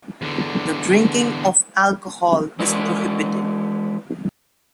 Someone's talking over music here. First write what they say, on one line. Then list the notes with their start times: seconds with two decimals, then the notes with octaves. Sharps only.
The drinking of alcohol is prohibited.
0.22 E2 D3
2.59 E3 G#3 E4 B4 D5